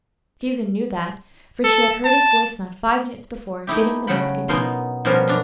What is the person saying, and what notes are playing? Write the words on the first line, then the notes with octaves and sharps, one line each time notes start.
Susan knew that, for she had heard his voice not five minutes before, bidding the nurse good-bye.
A4
A5
A3 D#4 E4 G4
C#3 F#3 A3 F#5 G5 B5
B2 B3 D#4 A#4 C6
B2 F3 G3 C#4 F#4 A#4
F#2 D4 A#5